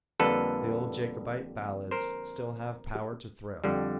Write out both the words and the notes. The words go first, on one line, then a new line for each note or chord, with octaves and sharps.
The old Jacobite ballads still have power to thrill.
F2 D3 G3 A#3 C#4 A4 B4
A#4 C5
F2 D3 G3